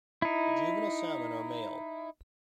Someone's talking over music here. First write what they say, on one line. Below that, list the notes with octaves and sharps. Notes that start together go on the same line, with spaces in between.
The juvenile salmon are male.
D#4 E4